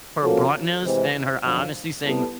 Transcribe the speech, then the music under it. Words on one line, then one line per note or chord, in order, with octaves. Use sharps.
her bluntness and her honesty saying,
F3 A#3 C#4 F#4 A4
C3 E3 G#3 C4
F#2 D3 F3
G3 B3 E4 A4